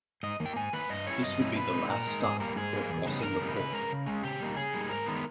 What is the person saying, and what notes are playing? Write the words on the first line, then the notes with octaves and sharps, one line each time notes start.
This would be the last stop before crossing the pole.
G#2 D#5
D#3 A#3
G5
G#2 G#5
D#3 A#3 B4
G2 D#5
G3 C#4 E4 C#5
G2 D#5
G3 C#4 E4
A#2 B4
G#3 D#4
A#2 A#4
G#3 D#4
G#2 G#4
G3 A#3 A#4
G#2 G#4
G3 A#3
E2
C#3 G3 B3 D#4
E2 A#4
C#3 G3 B3 D#4
C#3 B4
G#3 C#4 A#4
C#3
G#3 C#4
C#3 G4
G3 A#3 D#4
C#3 G#4
G3 A#3 D#4
G#2 A#4
D#3 G#3 B3